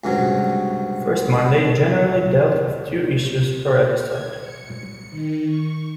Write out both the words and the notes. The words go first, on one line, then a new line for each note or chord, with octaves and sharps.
"First Monday" generally dealt with two issues per episode.
C#2 G2 C3 F#3
G#6
C#7
D#3
C#6